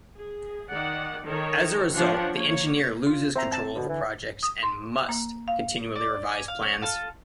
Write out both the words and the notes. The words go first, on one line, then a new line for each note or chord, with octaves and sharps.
As a result, the engineer loses control over projects and must continually revise plans.
G#4
D#3 D5 F#5
D#3 A4 A#4 C#5
F3 B3 D4 C#5 F#5 G5
A#3 C#5
F4
C4 C5 E5 A#5
A5
B2 D3
E3
D#6
C6
A#3
F5
D5
G#5
F5
C#4
F4 A4 A5 F6